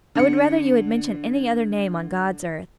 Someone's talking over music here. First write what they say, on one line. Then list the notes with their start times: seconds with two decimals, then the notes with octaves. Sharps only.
'I would rather you had mentioned any other name on God's earth.
0.15 D3 C#7